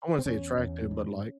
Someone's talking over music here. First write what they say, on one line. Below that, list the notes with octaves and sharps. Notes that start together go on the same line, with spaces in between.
I wouldn't say attractive, but, like
C4
E2 C#4
E2
G#2